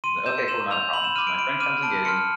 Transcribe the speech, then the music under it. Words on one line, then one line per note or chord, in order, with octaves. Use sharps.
He's like, "Okay, cool, not a problem." So my friend comes and get him,
C6 D#7
E6 G6 E7
C6 E7
E6 G6 F7
B5 F#7
E7
D6 F6 D#7
D7
B5 D7
D6 F6 D#7
A5 D7
C6 F6 C#7